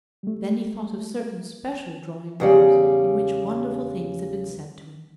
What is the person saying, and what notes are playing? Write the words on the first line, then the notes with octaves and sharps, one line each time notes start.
Then he thought of certain special drawing-rooms in which wonderful things had been said to him.
G3 A3
E2 C#3 G3